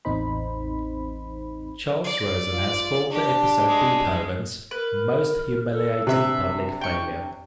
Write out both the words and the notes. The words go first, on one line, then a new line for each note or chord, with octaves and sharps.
Charles Rosen has called the episode Beethoven's "most humiliating public failure".
A1 E2 C4 D#4 C5 B5
D5
F4
D4 G4
G#3
A#4 B4
A4
C3 D4 B4 E5
G5 C#6